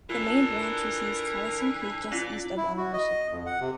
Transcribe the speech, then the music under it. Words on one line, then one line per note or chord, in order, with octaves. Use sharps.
The main branch receives Collison Creek just east of Honor, Michigan.
E3 D4 F4 A4 A#4 A5
C#4 E4 F4 D5
E4
F#4
D#5
F2
F#5
C3